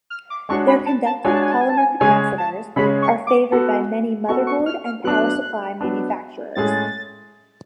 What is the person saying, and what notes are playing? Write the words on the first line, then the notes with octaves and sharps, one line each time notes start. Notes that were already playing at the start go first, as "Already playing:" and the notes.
Their conductive polymer capacitors are favored by many motherboard and power supply manufacturers.
F6
D6
G#3 D4 F#4 C#5 C#6
B5
A5
A5
G#3 D4 F#4 C#5 G#5
A5
G#5
A5
G#5
A5
G#5
C#3 G#3 C#4 G#4 C#5 G#5
A5
C#3 G#3 C#4 G#4 C#5 B5
C#6
D6
B3 F#4 A4
B3 F#4 A4 C#6
C#6
F6
F6
F#3 B3 D4 F#6
F#3 B3 D4
A2 G#3 C#4 G#4 A6